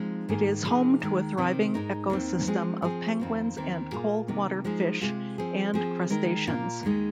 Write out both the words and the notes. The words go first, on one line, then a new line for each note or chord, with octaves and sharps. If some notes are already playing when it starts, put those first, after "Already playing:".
It is home to a thriving ecosystem of penguins and cold-water fish and crustaceans.
Already playing: F3 G#3 C4 D#4
G#2 D#3 A#3 G#4
C3 F3 A#3 D#4 G#4
D#2 D#3 G#3
C3 D#3 C4
G#2 G#3 D#4 A#4
D#2 D#3 C4
F3 G#3 C4 G#4
F3 C4 G#4
F2 D#3 C4 F4
D#2 D#3 C4
A#2 A#3 F4 G#4
C3 D#3 A#3
F3 G#3 D#4 G#4
C3 G#3 F4 G#4
F3 C4 G#4
F3 C4 G#4
D#3 G#3 D#4 A#4
A#2 A#3 F4
D#2 D#3 G#3 D#4